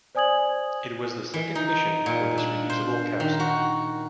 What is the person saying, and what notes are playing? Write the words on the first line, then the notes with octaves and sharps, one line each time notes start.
It was the second mission for this reusable capsule.
C5 D5 G#5 D#6 G#6 F#7
E3
D#4
A#2
D4
C5
D#3
F#4